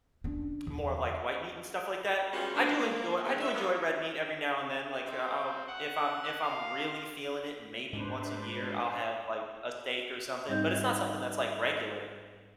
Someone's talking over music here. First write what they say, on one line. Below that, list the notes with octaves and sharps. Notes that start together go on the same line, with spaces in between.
more, like, white meat and stuff like that. I do enjoy I do enjoy red meat every now and then, like, uh, I'll if I'm if I'm really feeling it, maybe once a year, I'll have, like, a steak or something, but it's not something that's, like, regular.
C#4 D4
E2
G3 G#3 B3 C#4 F4 F#4
E3 F3 A#3 D4
A#3
C#3 E3 B3
E5
A#3 B3
C4
F#5
F5
G#2 G#3 D4 B4 C5
G#2 G3 C4 D#4 D#5 G6